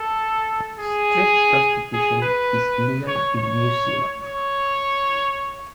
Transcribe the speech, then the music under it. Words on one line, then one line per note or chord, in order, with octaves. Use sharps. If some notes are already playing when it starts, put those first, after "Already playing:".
Street prostitution is legal in New Zealand.
Already playing: A4
G#4
G#4
B4
C#5
C#5
C#5